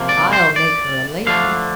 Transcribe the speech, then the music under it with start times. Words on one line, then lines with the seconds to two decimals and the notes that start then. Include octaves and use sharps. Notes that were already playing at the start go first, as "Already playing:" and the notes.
"I'll make her a lady."
Already playing: C3 F3 A#3
0.09 D5
0.33 C5
0.56 D5
1.27 D3 F3 A3 D4 F5